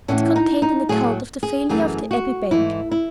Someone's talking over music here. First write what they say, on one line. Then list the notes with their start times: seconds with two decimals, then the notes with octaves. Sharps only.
It contained an account of the failure of the Abbey Bank.
0.08 A2 E3 B3 C#4
0.36 D#4
0.62 D#4
0.89 A2 F#3 A3 G#4
1.43 G#4
1.69 F#2 E3 A3 G#4
2.11 F#4
2.51 G#2 E3 A3 E4
2.91 E4